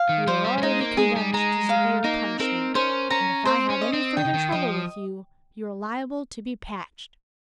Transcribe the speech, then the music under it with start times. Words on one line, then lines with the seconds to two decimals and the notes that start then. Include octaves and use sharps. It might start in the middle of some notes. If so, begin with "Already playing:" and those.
"You are already condemned to severe punishment, and if I have any further trouble with you, you are liable to be patched."
Already playing: F5
0.09 D#3
0.27 F3 C5
0.44 G3
0.58 G3
0.63 G#3 D#4
0.80 A#3
0.97 G#3 G#4
1.16 G3
1.33 G#3 A#5
1.69 F5
2.04 A#3 D#4
2.39 C4 A#4
2.75 C#4 C5
3.10 C#4 A#5
3.45 C4 C5
3.70 C#4
3.81 D#5
3.93 C4
4.17 D#3 G5
4.25 C#3
4.34 D#3
4.52 F3 D#5